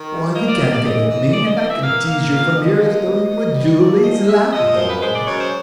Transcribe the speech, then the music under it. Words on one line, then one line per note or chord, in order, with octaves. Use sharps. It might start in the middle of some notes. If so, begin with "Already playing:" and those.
Why, you can't get at me, and I can tease you from here as though you were Julie's lapdog.
Already playing: D#3
G2
A#3 D#5
D5
G2 D#5
D5
E3 D#5
E3
G#3 D5
D#5
D5
E3 D#5
E5
A#3 F5
A#3 F5
F2 F5
D3 D#5
A#3
B2
B2
G3
F3 D5
G#2 D#5
F3 E5
F3 D#5
F#2 C5
B4
G#3 C5
D5
F#2 C#5
C5